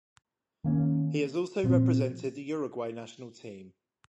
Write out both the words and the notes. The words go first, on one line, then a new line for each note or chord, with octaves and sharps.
He has also represented the Uruguay national team.
D#3 A#3 C#4
A#2 F3 C4